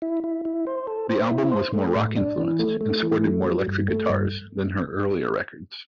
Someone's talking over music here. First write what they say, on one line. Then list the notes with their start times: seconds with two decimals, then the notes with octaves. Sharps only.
The album was more rock-influenced and sported more electric guitars than her earlier records.
0.02 E4
0.24 E4
0.45 E4
0.67 C5
0.87 A4
1.09 C5
1.30 E4
1.52 C5
1.73 A3
1.95 A2
2.17 D4
2.38 E3
2.59 A3
2.81 A3
3.03 E3
3.23 A3
3.45 F#3
3.67 G2
3.88 A3
4.10 G2